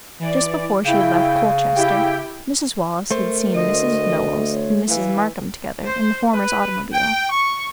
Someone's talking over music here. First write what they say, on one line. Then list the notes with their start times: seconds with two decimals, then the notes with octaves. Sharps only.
Just before she had left Colchester, Mrs. Wallace had seen Mrs. Knowles and Mrs. Markham together in the former's automobile.
0.19 E3 D5
0.84 C#3 E4 G5
1.75 E4 G4 G5
3.11 A3 A#4 C5
3.54 D2 D#5
4.52 C#5
4.88 E3 F5
5.86 C5
6.34 B4
6.93 G5
7.30 C#6